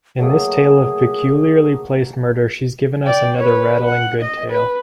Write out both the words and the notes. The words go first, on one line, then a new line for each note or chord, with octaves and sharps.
In this tale of peculiarly placed murder she's given us another rattling good tale.
F#3 A3 A#3 G#4
D5 G5
B4 C#5
F#5
D#5
B4